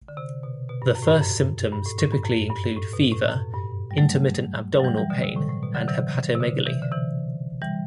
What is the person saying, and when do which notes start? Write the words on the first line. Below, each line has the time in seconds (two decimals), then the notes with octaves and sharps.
The first symptoms typically include fever, intermittent abdominal pain, and hepatomegaly.
0.08 D3
0.17 C3
0.43 B2
0.69 B2
0.82 G2
0.95 F#2
1.02 A2
1.08 G2
1.21 F#2
1.72 G2
1.86 A2
1.98 A2
2.12 G2
2.24 F#2
2.50 G2
2.76 A2
2.94 B2
3.11 A2
3.29 F#2
3.54 G2
3.91 G3
3.98 F#3 A3
4.80 F#3
4.84 E3 G3
4.97 E3 G3
5.10 B2 D3
5.23 C3
5.36 A2
5.49 A2
5.63 B2
5.75 D3 F#3
5.88 C3 E3
6.35 C3
6.40 B2 D3
6.66 C3 E3
6.82 D3
6.92 C3 E3
7.62 E3 G3